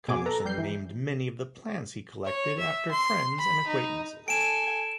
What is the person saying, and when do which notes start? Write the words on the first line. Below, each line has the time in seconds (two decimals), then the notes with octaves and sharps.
Commerson named many of the plants he collected after friends and acquaintances.
0.08 B2 G#4 G#5 D6
0.26 A4 B4 A#5
0.45 G3 G6 C7
0.58 E3
2.25 C#5
2.58 E5
2.91 C6
3.38 B5
3.67 D#4
4.28 A4 G#5 D7 E7